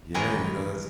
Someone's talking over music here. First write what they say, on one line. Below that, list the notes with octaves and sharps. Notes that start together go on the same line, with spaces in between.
Yeah, you know, that's
D#3 E3 G#3 G#4 A#4